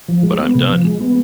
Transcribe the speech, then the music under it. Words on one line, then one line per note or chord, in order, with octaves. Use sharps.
But I'm done.
F3
G#3
B3
C3
F3
G#3
B3